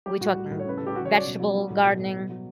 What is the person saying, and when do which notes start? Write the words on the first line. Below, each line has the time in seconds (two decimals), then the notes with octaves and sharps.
are we talking vegetable gardening?
0.06 G3 G4
0.21 A2 F#4
0.35 G3
0.50 A2
0.59 C#5
0.66 C#3 B4
0.77 G3 A4
0.87 G4
0.95 C#3 F#4
1.05 C#5
1.11 F#3
1.16 D5
1.25 B2
1.40 F#3
1.55 G3
1.70 A2
1.85 B2
2.00 G3
2.15 B2
2.30 F#3